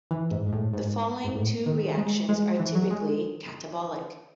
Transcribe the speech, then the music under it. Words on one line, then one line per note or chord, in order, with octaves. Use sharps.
The following two reactions are typically catabolic.
E3
G#2
G#2
A2
G#2
G#2
A2
D#3
G#3
G#3
E3
F#3
G#3